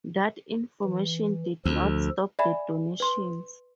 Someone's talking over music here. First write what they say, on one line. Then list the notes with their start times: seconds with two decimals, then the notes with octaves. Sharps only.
That information did not stop the donations.
0.84 E3
1.65 D2 F3 A4
2.39 D5 E5 G#5 B5
3.00 B4 C6